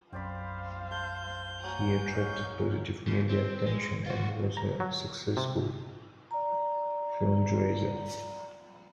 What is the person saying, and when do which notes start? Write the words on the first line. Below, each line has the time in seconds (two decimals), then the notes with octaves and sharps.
He attracted positive media attention and was a successful fundraiser.
0.13 B1 F#2 C4 C5 D5 F5 B5
0.91 A5 C6 G6
1.63 F#3 A#3 F#5 G#5
2.13 C#4 D#5
3.08 G#2 C#3
3.29 C4
3.66 G#3
4.06 F4 F#4
4.57 A#5
4.80 F#3
5.37 C3
6.31 D5 A#5